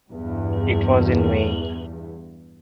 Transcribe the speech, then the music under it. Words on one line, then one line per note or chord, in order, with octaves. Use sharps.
It was in vain.
E2 G2